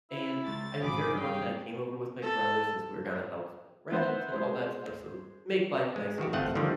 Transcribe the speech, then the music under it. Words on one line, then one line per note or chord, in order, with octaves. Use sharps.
and I I'm very fortunate, I came over with my brother since we were gonna help split rent and all that stuff, so make life nice and easy.
E4
C#2 A6
G#1 B2 F3 G#4 G#5 B5 D6
G2 C#4 F5 G5
A4
B3 C5 E5 F#5
G#3 C5
G#3
D#3 E3 F#4 G4
G1 A3 C4 D#5 F5 F#5
D3 D#3 F3 G3